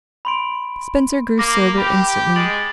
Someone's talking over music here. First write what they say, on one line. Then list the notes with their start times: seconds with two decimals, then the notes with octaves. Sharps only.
Spencer grew sober instantly.
0.25 B5 C6 D7
1.39 A#3 D6 A#6
1.78 G4 B5
2.36 G#3 A6 D7 F#7